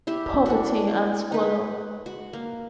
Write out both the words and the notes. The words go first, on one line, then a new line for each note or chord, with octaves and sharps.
Poverty and squalor.
E4 G4 E5
D4 F#4
D#4 B4
F#4
A#3